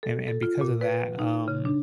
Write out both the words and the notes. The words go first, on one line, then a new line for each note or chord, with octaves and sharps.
and and because of that, um,
A4
A4
F4
A#2
B4
D#4
C#3
D4